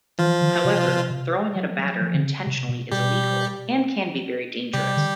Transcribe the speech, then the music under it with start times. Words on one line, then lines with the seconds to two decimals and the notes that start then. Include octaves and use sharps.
However, throwing at a batter intentionally is illegal, and can be very dangerous.
0.19 E3 F3 F4
0.41 D#3
0.64 C3
0.88 C3
1.10 C3
1.56 F#3
1.78 F#3
2.01 F3
2.14 D3
2.24 C#3
2.47 C3
2.69 B2
2.91 B2 G3 G4
4.73 C3 G3 G4
4.97 D3